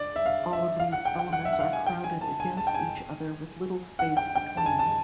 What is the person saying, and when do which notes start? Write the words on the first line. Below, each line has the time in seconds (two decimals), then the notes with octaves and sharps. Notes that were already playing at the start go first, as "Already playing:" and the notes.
All of these elements are crowded against each other with little space between.
Already playing: D5
0.16 E5
0.26 F5
0.53 E5
0.80 F5
0.92 F#5
1.05 G5
1.19 G5
1.32 F#5
1.45 E5
1.53 F#5
1.60 F5
1.73 G#5
1.86 G5
2.04 G#5
2.21 A5
2.40 G#5
2.57 A5
2.67 G5
2.74 G#5
3.99 F#5
4.17 G5
4.35 G5
4.57 A5
4.66 G#5
4.79 A5